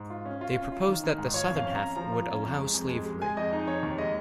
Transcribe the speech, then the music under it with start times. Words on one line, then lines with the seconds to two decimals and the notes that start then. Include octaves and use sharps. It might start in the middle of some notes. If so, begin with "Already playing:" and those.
They proposed that the southern half would allow slavery.
Already playing: G#2
0.10 F4
0.25 C#4
0.41 F4
0.57 C#4
0.72 F4
0.88 D#3
1.03 D#3
1.18 G#2
1.34 F4 C#5
1.50 F2
1.56 F5
1.65 C#4
1.75 A#5
1.81 C#4
1.96 F3 A#5
2.12 F4
2.28 C#4
2.43 F2
2.59 G#3
2.74 F2
2.90 G#3
3.06 G#3
3.22 G#3 G#5
3.37 F2 D#5
3.53 D#4
3.67 F2 C#5
3.83 D#2
3.98 G#3 D#5